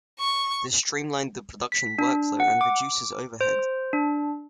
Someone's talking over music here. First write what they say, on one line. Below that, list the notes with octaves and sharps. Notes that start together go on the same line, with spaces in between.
This streamlined the production workflow and reduces overhead.
C#6
B6
D4
F#5
D6
C5
D4